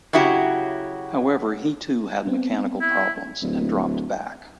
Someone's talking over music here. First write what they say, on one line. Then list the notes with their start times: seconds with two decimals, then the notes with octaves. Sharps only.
However he too had mechanical problems, and dropped back.
0.13 C#3 F#3 E4 F#4 G4
2.27 B3 C4
2.81 E4
3.42 D1